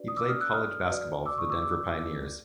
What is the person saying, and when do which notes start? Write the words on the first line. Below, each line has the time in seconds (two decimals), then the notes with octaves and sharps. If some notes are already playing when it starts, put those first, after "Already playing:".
He played college basketball for the Denver Pioneers.
Already playing: D4 F#4 B4 D5
0.08 D#6
0.17 D6 E6
0.28 D#6 F6
0.40 E6 F#6
0.53 D#6 F6
0.89 F#4 B4 D5
1.26 D6 E6
1.38 C#6 D#6
1.50 D6 E6
1.62 D6 E6